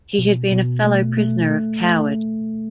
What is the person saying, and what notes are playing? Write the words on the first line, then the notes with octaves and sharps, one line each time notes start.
He had been a fellow prisoner of Coward.
B2
B2
A3
A3
A3
A3